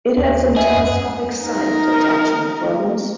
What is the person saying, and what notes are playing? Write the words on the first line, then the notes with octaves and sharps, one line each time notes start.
It has some telescopic sight attachment problems.
D#2
G#4 D#5 E5
F#2
D#4 A#4